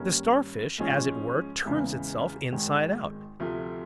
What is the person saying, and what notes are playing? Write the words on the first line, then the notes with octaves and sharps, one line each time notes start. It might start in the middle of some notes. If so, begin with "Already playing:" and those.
The Starfish, as it were, turns itself inside-out!
Already playing: G2 D#3 G3 A#3 C#4
G#2 F3 G#3 C#4
E2 C#3 E3 G#3
G#1 G#2 D#3 G#3
D2 C3 F3 A3